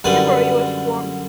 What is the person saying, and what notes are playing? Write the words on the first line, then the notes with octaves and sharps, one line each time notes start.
Newbury was formed.
F#2 D3 G3 B4